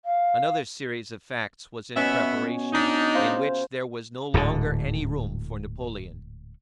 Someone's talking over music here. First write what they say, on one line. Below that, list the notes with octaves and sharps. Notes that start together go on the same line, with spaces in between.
Another series of facts was in preparation, in which there was no longer any room for Napoleon.
F5
B2 B3 C#4 E5
D4 D#4
C#3 C5 F5
D1 G#2 D3